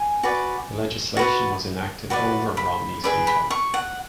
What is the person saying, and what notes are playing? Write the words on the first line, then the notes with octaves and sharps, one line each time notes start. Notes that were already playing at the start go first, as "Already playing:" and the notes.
The legislation was enacted over Romney's veto.
Already playing: G#5
F#4 B4 D5
F#4 B4 D5
F#4 B4 D5
B5
G#4 B4 D5 B5
B5
C#6
F#5